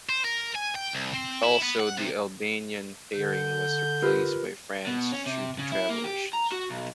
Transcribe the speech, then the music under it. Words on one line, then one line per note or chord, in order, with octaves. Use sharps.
Also the Albanian pairing was replaced by France due to travel issues.
C5
A#4
G#5
G5
C2
C4
E4
B3
F#5
C3
D3 G6
F4 G4 A#4 B4
B2
C#4
C3
C#3
E4
A#3
G4
A#5
F#4
B1